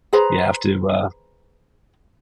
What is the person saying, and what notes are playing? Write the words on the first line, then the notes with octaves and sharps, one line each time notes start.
You have to, uh,
G#4 B4 C5 A#5